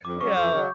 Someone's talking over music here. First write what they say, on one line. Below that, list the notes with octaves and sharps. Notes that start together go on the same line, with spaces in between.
you know,
F2 D6
C#3 F#3 C#6
F2 G6
C#3 F#3